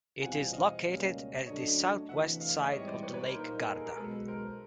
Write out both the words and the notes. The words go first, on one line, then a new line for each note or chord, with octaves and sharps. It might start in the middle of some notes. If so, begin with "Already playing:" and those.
It is located at the southwest side of the Lake Garda.
E2 B2 G3 C4 F4 F#5 G#5
D#5 F5
C#2 B2 G3 A#3 C#4
F#2 D3 F#3 A3 D4 C#5 D#5
D2 C3 E3 A3 E5 F#5
D#5 F5
D#5
D5 E5
G#2 E3 G3 C4 C#5 D#5
C5 D5
B4 C#5
B4 C#5
A#4 C5
A#2 G3 A#3 D#4 A#4 C5
A4 B4
G#4 A#4
G#4 A#4
B1 B2 G#3 A4 B4
A#4 C5